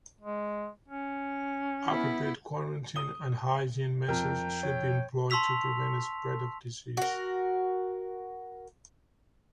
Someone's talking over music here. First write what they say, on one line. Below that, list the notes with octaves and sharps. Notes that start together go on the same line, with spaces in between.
Appropriate quarantine and hygiene measures should be employed to prevent spread of disease.
G#3
C#4
B3 E4
D#6 G7
F2 A#4 G5 A#5
C#5
A5 C6 C#6 E6 B6 F7
F#4 A#4